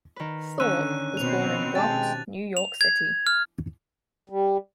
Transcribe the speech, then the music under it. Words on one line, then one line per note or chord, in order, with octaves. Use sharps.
Thorp was born in Bronx, New York City.
D#3 B4
D3 D#3 C#4 E6 F#6 D#7
B2 C4 F7
G#3 G4 G5 A5 A6
F7
G#6
F6
G3